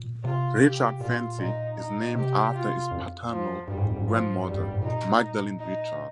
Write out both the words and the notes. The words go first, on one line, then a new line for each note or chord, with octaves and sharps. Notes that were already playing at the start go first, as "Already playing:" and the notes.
Richard Fancy is named after his paternal grandmother, Magdelene Richard.
Already playing: A#2
C3 F4
G4
A#2 F4
A#2 D#4
D#4
C3 G4
F4
F2
F3
G2 G3
G#2
F2
G#2
F3
G2 G3
F2
G2
G#2
A#2 D#4
D#4